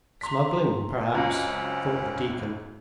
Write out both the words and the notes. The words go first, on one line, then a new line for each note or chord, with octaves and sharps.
"Smuggling, perhaps," thought the deacon.
A#5 C6 B6
C#2 F#2 C4 C#4 F4 A#5